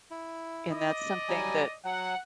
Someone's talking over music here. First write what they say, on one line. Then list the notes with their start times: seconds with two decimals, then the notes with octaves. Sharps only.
And that's something that
0.11 E4
0.73 D5 D#5
1.29 F#3 G3 G#5
1.85 F#3 F#5